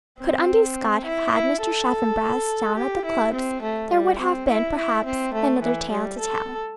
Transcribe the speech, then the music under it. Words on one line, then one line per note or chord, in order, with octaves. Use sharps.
Could Undy Scott have had Mr. Chaffanbrass down at the clubs, there would have been, perhaps, another tale to tell.
C4
E4
E4
A4
G4
E4
C4
A3
G3
C4
E4
E4
C4
A3
E3
G3
A4